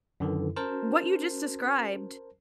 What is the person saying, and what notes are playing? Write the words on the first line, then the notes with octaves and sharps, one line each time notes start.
what you just described
F#2 D3 D#3 E4 A4 B4
C#4 F#4 A#4 C5 A5